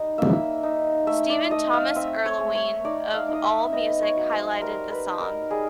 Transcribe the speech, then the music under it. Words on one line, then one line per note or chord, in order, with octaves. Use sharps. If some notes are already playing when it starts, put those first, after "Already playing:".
Stephen Thomas Erlewine of AllMusic highlighted the song.
Already playing: G3 D#4
A#3 E5
D#4
A3 E5
D5
A3 D#5
F5
C4 E5
C#5
A3
C#5
D#4 D5
F5
D#4
D#5
E5
B3 D#5
C#5
F#3
C5
G3 A#4
B4
D#4
A#4
G3 G#4